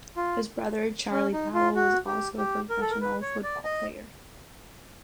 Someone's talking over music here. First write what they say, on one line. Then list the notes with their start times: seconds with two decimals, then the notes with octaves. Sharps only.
His brother, Charlie Powell was also a professional football player.
0.17 F4
1.12 C#4
1.33 D#4
1.54 F4
1.75 F#4
2.06 G4
2.38 G4
2.70 A#4
2.81 A4
2.90 A#4
3.01 B4
3.22 C#5
3.43 D5
3.64 D#5